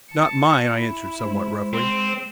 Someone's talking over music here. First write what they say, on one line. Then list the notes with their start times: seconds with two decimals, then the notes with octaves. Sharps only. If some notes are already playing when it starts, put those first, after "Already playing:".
"Not mine," I answered somewhat roughly.
0.11 A5 C#7
0.74 E4
1.25 G#3 C5
1.73 C4